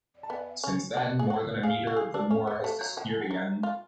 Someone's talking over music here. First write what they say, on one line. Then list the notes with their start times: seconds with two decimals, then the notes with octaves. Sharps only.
Since then, more than a meter of the moor has disappeared again.
0.23 A5
0.30 B3 G#5
0.64 C#4
0.97 D4 F#5
1.19 G#4
1.30 F#4
1.63 G#4 F5
1.87 F#4
1.97 G#4
2.14 D4
2.31 C#4
2.47 B3
2.64 A3
2.81 F#3
2.97 F3 F#5
3.09 G#5
3.21 F#5
3.31 F#3
3.63 F4